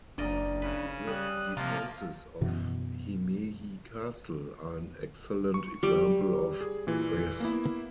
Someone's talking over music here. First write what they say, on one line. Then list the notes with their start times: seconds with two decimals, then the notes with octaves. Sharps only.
The defenses of Himeji castle are an excellent example of this.
0.18 F#1 D4 A#4 D5 D#5
0.62 C#3 B4
1.07 G3 D#6 F#6
1.57 C3 F3 A#3 F4 A#5 F6
2.41 F#2 B2 E3
5.54 C#6
5.83 G3
6.61 G#4
6.87 A#2 E3
7.40 A#3 B3 E4